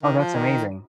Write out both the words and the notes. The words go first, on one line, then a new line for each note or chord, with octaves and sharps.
Oh, that's amazing.
D#3
F3
D#3